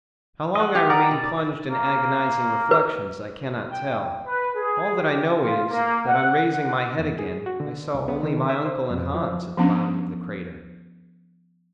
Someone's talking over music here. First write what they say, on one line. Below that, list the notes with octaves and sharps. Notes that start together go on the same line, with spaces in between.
How long I remained plunged in agonizing reflections I cannot tell; all that I know is, that on raising my head again, I saw only my uncle and Hans at the bottom of the crater.
D#5 F#5
G4 G5
D5 F#5 A#5
B2
A#3
B4
G5
B4
G#4
G4
F4
A#3
F#5
F#5
E2
G#4
F#4
D3
C2
B3
D#3
E5
C5
F2
F3
F3 B3 C#4 D4